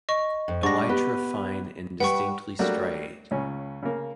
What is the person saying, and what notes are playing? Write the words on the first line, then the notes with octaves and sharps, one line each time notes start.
Elytra fine and distinctly striate.
D#5 C#6
F2
G3 G#3 D4 F#5 C#6 A#6
B3 G4 B4
G3 B4 F#5 G5 C#6
F#3 G3 A3 A#3 D4 F#4
C#2 C#3 C#4
C#3 A#3